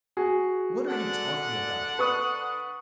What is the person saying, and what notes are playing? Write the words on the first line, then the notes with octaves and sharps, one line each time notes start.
What are you talking about?
F#4 G#4
D3 D4 F#5
B4 C#6 D#6